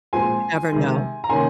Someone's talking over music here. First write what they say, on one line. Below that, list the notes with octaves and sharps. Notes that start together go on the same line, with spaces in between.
You never know.
A#2 F3 G#3 C4 G#5 C6
C3 D#3 G#3
A#5
C3 D#3 A#3 C#4 G#5 C6